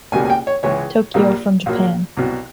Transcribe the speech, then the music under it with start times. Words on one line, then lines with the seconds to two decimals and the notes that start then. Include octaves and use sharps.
Tokyo from Japan.
0.12 C#2 B2 G3 A#3 G#5
0.25 G#5
0.30 G5
0.47 C#5
0.63 C#2 C#3 E3 G#3 C#5
1.14 A#1 A#2 G3 A#3
1.66 A#1 A#2 F#3 A#3
2.17 C2 B2 F#3